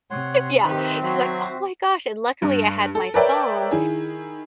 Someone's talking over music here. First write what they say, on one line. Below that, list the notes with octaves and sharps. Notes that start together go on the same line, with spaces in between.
Yeah, she's like, "Oh my gosh" and, luckily I had my phone
C3 C#5 F#5 C6
D#3 C4 D#4 G4 B4 E5
F#3 F#4 C5 E5
G2
A4
A#4 B4 C#5 D5 E5 G5
D#3 E4 G#4